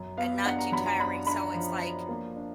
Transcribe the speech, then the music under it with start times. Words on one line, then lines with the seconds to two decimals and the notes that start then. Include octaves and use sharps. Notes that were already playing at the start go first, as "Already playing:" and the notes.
and not too tiring. So It's, like,
Already playing: F#2
0.17 B3 F5
0.45 D4 F#5
0.59 A#5
0.72 F#2 B5
0.86 A#5
1.00 D4 B5
1.27 D4 B5
1.55 F3
1.81 D4
2.09 A#3
2.36 D4